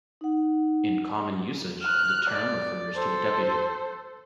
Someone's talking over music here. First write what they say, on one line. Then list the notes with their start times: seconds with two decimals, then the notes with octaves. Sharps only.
In common usage, the term refers to a deputy.
0.21 D#4 F#5
1.82 F6 F#6
2.29 D5
2.96 A4 C5